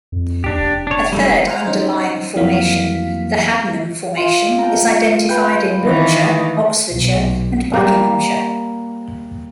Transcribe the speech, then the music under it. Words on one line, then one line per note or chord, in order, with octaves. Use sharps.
A third underlying formation, the Haddenham Formation, is identified in Wiltshire, Oxfordshire and Buckinghamshire.
F2
D#2 D4 G4
F1
D4 C#5
G3 A3 D#4
C5 F5 F#5 G#5 A#5 F6
C#4 D#4 C5
F2 E3 F#3 A#3 F5 B6
F4
G5 A5 A#5
B4 G5
D#3 E3
B1
G3 A#3